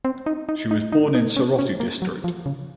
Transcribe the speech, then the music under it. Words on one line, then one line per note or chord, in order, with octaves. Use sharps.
She was born in Soroti District.
C4
D#4
D#4
D#4
D#4
D#4
C#4
C#4
A#3
F#3
F3
C#3